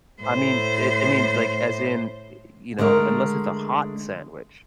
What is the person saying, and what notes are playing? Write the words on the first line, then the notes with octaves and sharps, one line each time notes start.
I mean, it I mean, like, as in eh, you know, unless it's a hot sandwich.
A2 C5
D3 G#3 A3 A#4